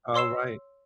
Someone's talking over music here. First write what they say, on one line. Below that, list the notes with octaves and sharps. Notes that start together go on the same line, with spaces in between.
Oh, right.
C#5 C6 E6 C7 E7